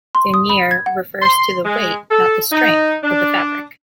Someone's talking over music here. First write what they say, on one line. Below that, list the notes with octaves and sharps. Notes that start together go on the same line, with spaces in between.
Denier refers to the weight, not the strength, of the fabric.
C6
D#6
B5
G#6
F#5
C6
G#3
A4
D#4
D4